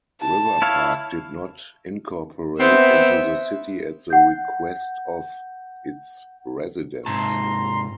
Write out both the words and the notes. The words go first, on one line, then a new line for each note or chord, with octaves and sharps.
River Park did not incorporate into the city at the request of its residents.
A5
E4 C#5 F5
B3 C4 E5
F#5 G6
G#2 C3 A5 A#5 C6